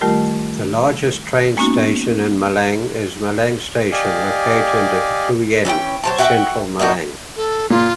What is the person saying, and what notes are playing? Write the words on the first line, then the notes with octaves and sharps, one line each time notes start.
The largest train station in Malang is Malang Station, located in Klojen, Central Malang.
D#3 G3 A3 F4 G4 A#4
G#3 A#3 B3 C#4 D#4 F#4
G4 D5 D#5 F5 G#5
E3 C#4 D4 G5
F#3 C5 A5
F#4 E5 F#5 G5
A#3 D4 D#4 F#4
A4
A#2 F4